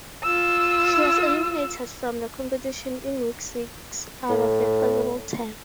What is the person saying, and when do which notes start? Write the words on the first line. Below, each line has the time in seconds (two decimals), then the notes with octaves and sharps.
She was eliminated from the competition in week six out of a possible ten.
0.23 F4 E6
4.30 A2